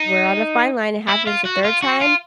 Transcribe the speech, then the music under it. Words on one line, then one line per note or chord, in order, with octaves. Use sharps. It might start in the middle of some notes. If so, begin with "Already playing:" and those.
we're on a fine line. It happens a third time,
Already playing: D#4
E4
F4
F#4
F4
F#4
F4